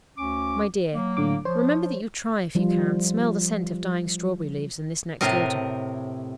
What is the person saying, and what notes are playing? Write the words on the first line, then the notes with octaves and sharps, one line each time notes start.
My dear, remember that you try if you can smell the scent of dying strawberry-leaves in this next autumn.
D2 C#4 D6
F#3 A#3
A2 D3 D6
F3 C5 C#5
F3 G3 F4
A2 C3 A#4 D#5